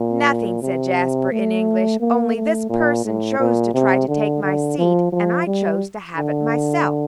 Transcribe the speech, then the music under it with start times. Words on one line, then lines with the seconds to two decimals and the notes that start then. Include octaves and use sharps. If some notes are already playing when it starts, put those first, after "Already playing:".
"Nothing," said Jasper, in English, "only this person chose to try to take my seat, and I chose to have it myself."
Already playing: A#2
0.62 C3
1.32 A3
2.00 A#3
2.36 A3
2.69 A#2
3.05 A2
3.39 A#2
3.74 C3
4.08 D3
4.43 D3
4.78 F3
5.12 F3
5.47 G3
6.16 D3